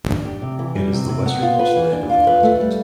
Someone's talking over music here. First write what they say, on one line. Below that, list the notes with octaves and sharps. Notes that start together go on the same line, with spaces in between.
It is the westernmost land of the continent.
D4
G4
C3
E3
G3
C3
C3
B3
F4
B4
E3
D4
F4
B4
A3
G3